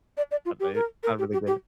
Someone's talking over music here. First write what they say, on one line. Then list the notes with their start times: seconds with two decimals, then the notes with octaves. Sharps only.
uh, they I don't really get it.
0.17 D5
0.31 D5
0.45 F4
0.60 G4
0.75 A#4
1.03 A#4
1.19 G4
1.33 G4
1.47 G4